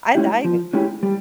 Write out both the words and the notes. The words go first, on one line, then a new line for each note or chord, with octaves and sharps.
I I
G#3 C#4 E4 G4
F3
G#3 C#4 E4 G4
G3